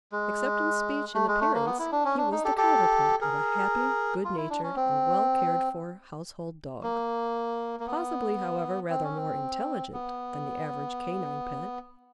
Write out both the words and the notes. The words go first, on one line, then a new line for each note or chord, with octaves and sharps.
Except in speech and appearance he was the counterpart of a happy, good-natured, and well-cared-for household dog--possibly, however, rather more intelligent than the average canine pet.
G#3
A3
G#3
A3
A#3
B3
E4
D4
C#4
D4
D#4
G4 A4
G4 A4
G#4 A#4
F4
E4
D4
C#4
C4
A#3
A#3
B3
C4
C#4
C4
B3